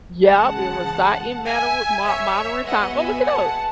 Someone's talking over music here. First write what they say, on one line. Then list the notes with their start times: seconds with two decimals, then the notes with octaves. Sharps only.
Yep, it was si it matter with mod modern time, go look it up.
0.24 C#3 E3 G#3 F#5 A5
1.45 E5 G#5
2.05 C#5 E5
2.66 B2 G#3 B3 D#5 F#5
2.96 E5 G#5
3.26 F#5 A5